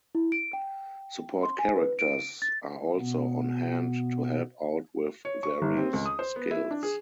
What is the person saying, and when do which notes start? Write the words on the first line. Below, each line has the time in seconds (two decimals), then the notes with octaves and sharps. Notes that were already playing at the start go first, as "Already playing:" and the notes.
Support characters are also on hand to help out with various skills.
0.15 E4
0.32 D7
0.53 G5
1.43 C6
1.59 G#5
1.76 B4
1.99 D7
2.42 A6
2.96 B2 B3
5.25 C#5
5.43 C#6
5.62 G1
5.77 C4
5.93 C#2
6.06 D#6
6.19 C5
6.36 B3
6.51 E4
6.71 D4
6.83 G#4